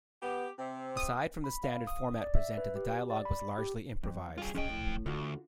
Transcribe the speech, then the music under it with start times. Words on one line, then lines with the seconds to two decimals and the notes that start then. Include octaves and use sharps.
Aside from the standard format presented, the dialogue was largely improvised.
0.23 B3 G4
0.59 C3 C4
0.97 D#6
1.44 B5
1.64 F5
1.87 D#6
2.21 D5
2.35 E5
2.57 B4
2.76 G4
3.10 D5
3.25 B5
3.58 G4
4.03 F2
4.38 G2 F4 G#4
4.55 F2 C#4 G#4 D#5 G5
4.69 A2
5.06 D2 D3 F4 F#4